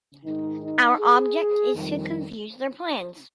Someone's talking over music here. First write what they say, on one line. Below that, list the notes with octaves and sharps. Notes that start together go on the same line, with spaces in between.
Our object is to confuse their plans.
G#2 D#3 G#3 D#4
D#4
G#4
F2 D#3 G3